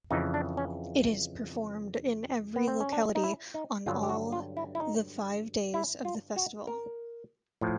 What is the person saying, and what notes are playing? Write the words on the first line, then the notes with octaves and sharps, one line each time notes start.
It is performed in every locality on all the five days of the festival.
F2 C#3 E3 D#4
D4
C#4
B3
C4
C#4
D4
D#4
E4
D#4
G2 D3 F#3 F4
G4
F#4
F4
E4
E4
D#4
E4
F4
F#4
A#4
A2 F3